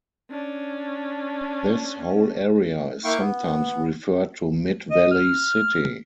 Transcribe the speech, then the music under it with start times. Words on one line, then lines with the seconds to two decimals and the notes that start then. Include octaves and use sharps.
This whole area is sometimes referred to Mid Valley City.
0.30 C#4 D4
3.04 A#3 E4 F5 G5 C#6
3.19 B3
4.91 D#5
5.11 F6